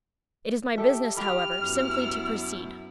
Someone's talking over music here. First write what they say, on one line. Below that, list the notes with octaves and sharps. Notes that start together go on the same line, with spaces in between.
It is my business, however, simply to proceed.
G4 A4 E5
G4 F5 B5 F6
F#2 B3 E4